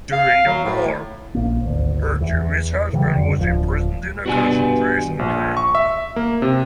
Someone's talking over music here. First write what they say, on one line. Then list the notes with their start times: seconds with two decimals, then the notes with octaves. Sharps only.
During the war, her Jewish husband was imprisoned in a concentration camp.
0.12 F5
0.46 F#3
0.63 A2
1.34 A#1 A#3
1.61 G#1 D2
2.21 E2 E3
2.93 C#3 E3 F#3 G3
3.16 F2 D3
3.40 D1 D2 F3
4.26 G2 B2 B3 F#4 D5 G#5
5.19 A#1
5.57 C#6
5.75 E5
6.16 A#3
6.42 C3